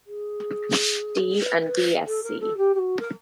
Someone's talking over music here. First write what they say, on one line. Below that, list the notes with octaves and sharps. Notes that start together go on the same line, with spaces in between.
D and D. Sc.
G#4
B4
B4
A4
A#4
A4
G4
G4
F#4
A#4